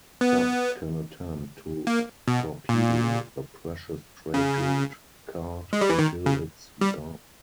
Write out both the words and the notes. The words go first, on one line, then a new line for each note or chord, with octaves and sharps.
Subs can attempt to torpedo the precious trade route card until it's gone.
B3
A#3
B2
A#2
C#3
G#3
G3
E3
D#3
C#3
G3